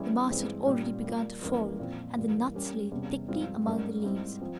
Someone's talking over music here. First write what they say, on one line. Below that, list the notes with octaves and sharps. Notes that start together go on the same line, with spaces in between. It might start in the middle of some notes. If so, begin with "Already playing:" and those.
The mast had already begun to fall and the nuts lay thickly among the leaves.
Already playing: E3 G3 C#4 E4 G#4
G2 E3 G#3 C4
A#2 G3 C#4 G4
G3 A#3 F4
F2 E3 G3 A#3 C#4
A#2 F3 C4
G2 E3 G3 A#3
G3 C#4 G4 A#4
E2 C3 G3 C#4
G2 F3 G#3 C4 F4
G#2 G3 C#4 G4 A#4
G#2 G3 C4 E4
F3 C4